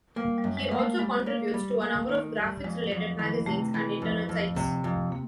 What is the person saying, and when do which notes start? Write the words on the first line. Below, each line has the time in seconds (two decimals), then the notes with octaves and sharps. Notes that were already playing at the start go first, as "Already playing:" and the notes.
He also contributes to a number of graphics-related magazines and Internet sites.
0.16 G3 A#3
0.38 G3
0.44 F#2
0.57 G#3
0.69 G#3 A#3
0.79 A3
0.99 G3 G#3
1.26 A#3
1.54 G3
1.82 A#3
2.09 D#3
2.37 G3
2.64 F2 G#3
2.92 F2 F#3
3.19 D#3 E3
3.46 C3 A3
3.74 E3
4.02 F2
4.29 F2
4.56 C3
4.84 F2
5.12 A#3